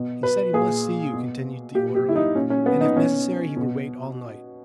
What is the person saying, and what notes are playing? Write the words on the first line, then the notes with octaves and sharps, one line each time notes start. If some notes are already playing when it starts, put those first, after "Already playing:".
"He said he must see you," continued the orderly, "and if necessary he would wait all night."
Already playing: B2
B4
A#2 G#4
B2
A#2 G4
G4
E4
D#4
A#2 C#4
C#4
B3
D#4
B2 C#4
B2